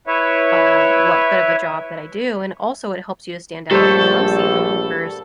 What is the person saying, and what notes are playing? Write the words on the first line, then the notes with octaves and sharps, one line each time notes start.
uh, what good of a job that I do." And, also, it helps you to stand out amongst the other workers.
E4 B4 C#5 E5
A#1 G3 A3 A4 C5 C#5